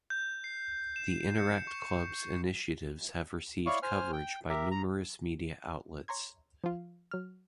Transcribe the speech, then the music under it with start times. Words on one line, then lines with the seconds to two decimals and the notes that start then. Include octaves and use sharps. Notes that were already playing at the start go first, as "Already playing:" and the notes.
The Interact Club's initiatives have received coverage by numerous media outlets.
0.10 G6
0.44 C7
0.96 E7
1.38 C#7
1.67 C#6
3.66 E4 C#5 D5 F5 C#6
3.83 C5 G#5 F6
4.13 G5
4.49 G4 A#4 E5
4.71 A#5
6.08 C#5 A#5 C6 G#6
6.64 F3 F4
7.11 F#3 F6